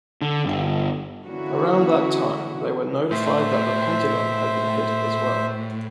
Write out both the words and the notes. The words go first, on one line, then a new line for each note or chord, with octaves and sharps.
Around that time, they were notified that The Pentagon had been hit as well.
D3
G1
D3 E3 A#3 C#4 E4 F#4
A2 C5 E5